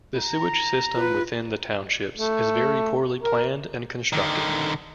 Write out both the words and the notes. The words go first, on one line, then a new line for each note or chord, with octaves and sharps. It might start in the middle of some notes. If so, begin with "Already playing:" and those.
The sewerage system within the townships is very poorly planned and constructed.
A#5
F4 B4
A3
A#4
D3 D#3